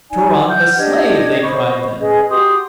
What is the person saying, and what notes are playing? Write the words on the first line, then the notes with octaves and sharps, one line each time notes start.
"Turan the slave," they cried then.
D#4 D5 G#5
F#5 F6 G6
D4 G4 D#5 G#6
C5 D#5 B5 C#6
C#4 G#4 B4 D#5
F#4 G4 C6 D#6